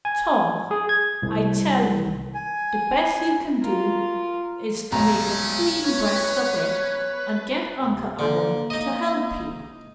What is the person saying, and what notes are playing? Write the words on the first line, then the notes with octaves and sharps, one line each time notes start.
"Tom, I tell you the best you can do is to make a clean breast of it and get Uncle Adam to help you."
G#5
G#4
G#6
C2
G#5
F4 A#4
B1 G#3 A3 C#4 A#5
B4 C#5
D2 C3
D3 A#3
D#4 D#5